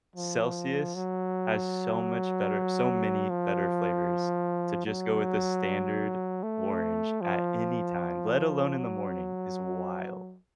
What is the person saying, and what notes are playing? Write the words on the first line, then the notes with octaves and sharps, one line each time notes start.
Celsius has so much better so many better flavors. To just go with the standard orange at any time, let alone in the morning, is wild.
F3
F#3
F3
F#3
A3
F3
F#3